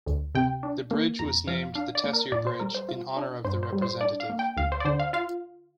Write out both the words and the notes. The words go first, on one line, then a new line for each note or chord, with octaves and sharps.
The bridge was named the Tessier Bridge in honour of the representative.
D2
C3 G5
D4
A#3
F2 A#5
F3 F5
D4 F5
D5
A#3
A#4
A#2 D5
C5
G3 A#4
C5
F4
D4
G2 C5
C5
G3
C5
D4 D5
F5
A#3
G5
D2 F5
C5
D5
D3 C5
F5
F4 F5